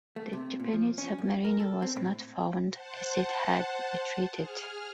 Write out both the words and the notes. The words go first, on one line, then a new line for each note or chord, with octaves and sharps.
The Japanese submarine was not found as it had retreated.
A3
C3
A#2
F3
C#4
F#2
A#4
A4
C4
A2
C5 F#5 A5
G#4 F6